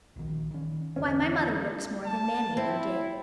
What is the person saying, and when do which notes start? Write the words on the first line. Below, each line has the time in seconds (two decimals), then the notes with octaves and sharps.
Why, my mother works more than Mammy ever did.
0.16 A#1 D#3
0.51 D#3 C#4
0.96 E2 D3 C4 C#4
2.06 A5
2.57 C4 E4